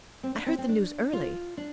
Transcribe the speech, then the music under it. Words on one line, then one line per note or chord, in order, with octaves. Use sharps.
'I heard the news early.
C4
D4
C4
C4
D4
F4
D4